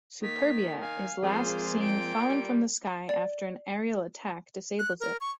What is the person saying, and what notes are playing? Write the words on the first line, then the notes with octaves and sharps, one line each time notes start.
Superbia is last seen falling from the sky after an aerial attack disables it.
D#3 A#3 B6
F5 G#5
A#2 F3 G#3 C4 G#4 C5 F5
G5 D7
G3
D5
F#6
A#4
C#6